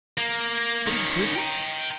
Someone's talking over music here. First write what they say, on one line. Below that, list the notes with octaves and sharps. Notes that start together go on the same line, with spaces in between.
"But in prison?"
A#3
D#3 C#4
G5 A#5